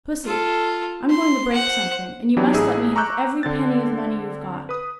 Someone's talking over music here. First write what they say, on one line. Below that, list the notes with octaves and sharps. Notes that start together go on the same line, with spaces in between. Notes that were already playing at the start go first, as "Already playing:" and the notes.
Pussy, I'm going to break something, and you must let me have every penny of money you've got.
F4 A4
C6
C5 F#5
E3 F#3 B3 D4 G4
A1 D#4 E4 G#4 E6
A#5 C#6 D6 E6 F#6 G6
D3 C4 A6
B4 D#6